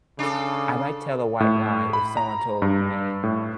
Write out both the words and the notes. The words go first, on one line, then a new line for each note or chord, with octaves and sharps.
I might tell a white lie if someone told me
C#3 D4 A4
A2
B5
A#5
G2
A2